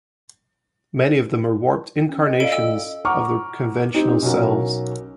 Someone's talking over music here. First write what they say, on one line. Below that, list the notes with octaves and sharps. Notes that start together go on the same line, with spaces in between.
Many of them are warped incarnations of their conventional selves.
C#4
D#5
F4 A4 D5 F5 D7
G5 E6
F#5 A#5 C#6 D6 F6
C4 D#4 G4
B1 C#4 F#4 A#4